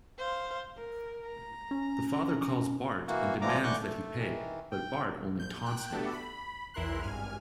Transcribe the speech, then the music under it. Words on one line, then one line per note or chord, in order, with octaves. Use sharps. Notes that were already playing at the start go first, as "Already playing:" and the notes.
The father calls Bart and demands that he pay, but Bart only taunts him.
C5 F5
A#4
A#5
C#4
E3 A#3 F#4
B2 D3 E3 F3 A#5 D6
D3 E3 C#6 D6 F#6 G6
A3
D#3 E3
G5
A#1 G6
G5 F#6
A3 B3 D4 F#4 G4 A4
B5
B1 E2 E4 A#4 C6 F#6
G#1 G2 G#5 F6